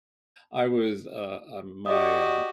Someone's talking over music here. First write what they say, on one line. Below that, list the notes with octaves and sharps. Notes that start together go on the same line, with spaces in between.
I was, uh, uh, my uh,
F#4 G4 D5 D#5 D#6